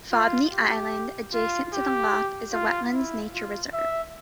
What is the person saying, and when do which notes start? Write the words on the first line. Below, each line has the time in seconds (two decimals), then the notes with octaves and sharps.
Fobney Island, adjacent to the lock, is a wetlands nature reserve.
0.12 F4
0.53 G4
1.33 F4
1.73 G4
2.53 F4
2.93 E4
3.34 F4
3.73 E5